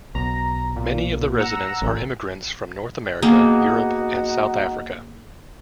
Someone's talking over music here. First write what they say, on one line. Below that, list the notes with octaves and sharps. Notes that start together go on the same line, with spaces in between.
Many of the residents are immigrants from North America, Europe and South Africa.
B1 A#5
A#2
F#5 A#5 E6
A1
A#3 B3 D#4 F#4 G#4